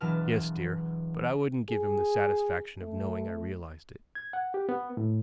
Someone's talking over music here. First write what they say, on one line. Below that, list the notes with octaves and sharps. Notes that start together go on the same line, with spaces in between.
"Yes, dear; but I wouldn't give him the satisfaction of knowing I realized it."
E1 E3 F#3 A5 F6
G#4
A3
G#6
F#5
G4
B3
A2